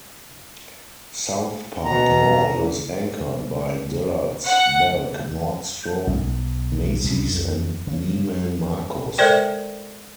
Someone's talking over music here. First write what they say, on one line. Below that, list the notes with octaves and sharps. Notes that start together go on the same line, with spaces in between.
SouthPark Mall is anchored by Dillard's, Belk, Nordstrom, Macy's and Neiman Marcus.
B2 A#5
E2
F#5
B1
C2
F2
C#3
G#3 A4 A#4 C5 D5 G5